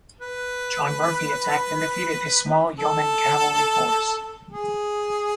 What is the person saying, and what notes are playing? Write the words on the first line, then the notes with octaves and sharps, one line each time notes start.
John Murphy attacked and defeated a small yeoman cavalry force.
B4
A4
G#4